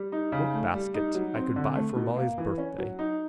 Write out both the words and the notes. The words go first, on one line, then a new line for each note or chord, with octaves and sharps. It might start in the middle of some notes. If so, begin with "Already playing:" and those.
Workbasket I could buy for Molly's birthday.
Already playing: G3
D#4
C#3
A3
G3
D#4
F#3
C4
D3
A3
B2
A#3
E3
C#4
F#3
D#4